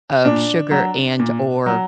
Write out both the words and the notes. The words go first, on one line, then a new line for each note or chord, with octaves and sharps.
of sugar and/or,
A#2 D4
F#3
A#2
F#3